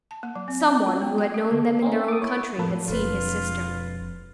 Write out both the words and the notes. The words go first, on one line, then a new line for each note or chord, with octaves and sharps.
Some one who had known them in their own country had seen his sister.
A5
A#3
F#3
C4
D5
C#4
F4
B3
G5
G4
D3
C4 C#4 D#4
D6 D#6
E4 C#5
F2 A2 A#3 A4 B4
E1 F2 D4 F4 A4 B4